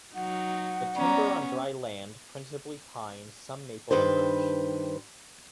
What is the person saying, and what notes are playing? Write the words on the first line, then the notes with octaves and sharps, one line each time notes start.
The Timber on dry land principally pine some maple and Birch.
F#3 D#4 F#5
B3 C#4 D5 A#5
G2 D#3 B4 C5